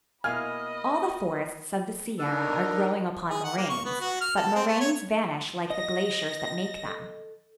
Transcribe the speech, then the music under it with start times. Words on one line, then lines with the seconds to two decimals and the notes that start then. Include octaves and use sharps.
All the forests of the Sierra are growing upon moraines, but moraines vanish like the glaciers that make them.
0.24 B2 A#3 E4 D#5 F5 G#5 B5 F6
2.19 D4 D#4 A4 A#4
3.30 G#4
3.44 F#5
3.57 A#3
3.69 C#6
3.85 B3
4.00 F#4
4.21 F6
4.37 A4
4.55 C4
4.67 A3
4.80 C#5
5.70 D#5 A#6
6.87 A4